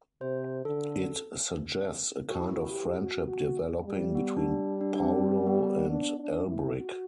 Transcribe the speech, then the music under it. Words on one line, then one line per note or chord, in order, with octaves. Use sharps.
It suggests a kind of friendship developing between Paulo and Elbrick.
C3 C5
D3 A4
F#4
E4
G4
F#4
F#4
G3
B3
D4
D4
D4
C4
B3
D4
D4
E4
F#4